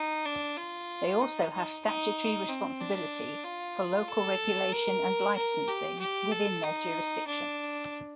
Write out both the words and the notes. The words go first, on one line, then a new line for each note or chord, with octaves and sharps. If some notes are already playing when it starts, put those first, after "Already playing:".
They also have statutory responsibility for local regulation and licensing within their jurisdiction.
Already playing: D#4
D4
F4
D#4
D#4
D#4
C4
D4
F4
A4
A#4
A#4
G4
G4
A4
D#4
D4